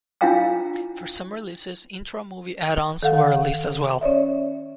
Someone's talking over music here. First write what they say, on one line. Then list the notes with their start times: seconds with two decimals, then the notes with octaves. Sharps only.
For some releases, intro movie add-ons were released as well.
0.21 D4 E4 F4 F5 G5 E6
3.03 D#3 A4 F5 F#5
4.01 C#4 C#5 D5 E5